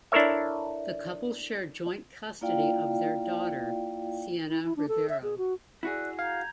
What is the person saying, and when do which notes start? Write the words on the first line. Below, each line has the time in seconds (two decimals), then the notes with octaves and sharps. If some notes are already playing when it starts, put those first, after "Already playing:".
The couple share joint custody of their daughter, Sienna Ribeiro.
0.12 D4 E4 A4 A#4 C#5 E5
2.41 A#3 E4 F4 D5 F5 G5
4.48 E4
4.65 E4
4.77 D4
4.88 A4
5.09 E5
5.23 G#4
5.38 F#4
5.83 E4 F#4 G#4 D5 E6 F#6
6.19 F5 A#5 G6 G#6